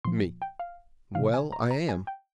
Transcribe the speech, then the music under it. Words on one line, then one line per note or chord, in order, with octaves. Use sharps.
ME: Well, I am.
A#2 F3 C6
G5
F5
C3 E3 F5
G#5
A#5
A#5
G#5
G5